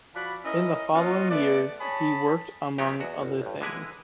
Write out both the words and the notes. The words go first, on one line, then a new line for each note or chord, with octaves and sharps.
In the following years he worked among other things.
F3 F#4 D5 B5
C#4 E4 A#4 D#5
A#3 C#4 F4 F#4 D#5
A3 B3 D5
G#4 C#5 G#5 A5 B5
F3 F#3 B3 D#4 G4
E2 F#4
G1
A1 G2
D3 E3 G#3 E4 B4 G#5